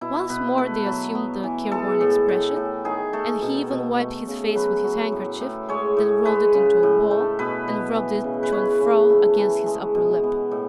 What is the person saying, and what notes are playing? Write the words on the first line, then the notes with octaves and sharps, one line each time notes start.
Once more they assumed a careworn expression, and he even wiped his face with his handkerchief, then rolled it into a ball, and rubbed it to and fro against his upper lip.
B2 E4
B2 B4
A3 B4
F#3
B3
E3
G#3 A4
A2
A2
A2
D#3 G#4
A3 A4
B2
B2
A3
C#3
F#3 B4
F#3
A2
A2
G#3 C#5
A2
G#3 B4
C#3
A2
A3
B2 B4
B2
E3
C#3
B4
C#3 C#5
C#3
A3
E3
G#3
B2
B3
A2